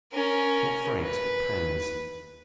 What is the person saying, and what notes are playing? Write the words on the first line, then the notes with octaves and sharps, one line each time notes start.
Not francs, but pounds!
C#4 A#4
B4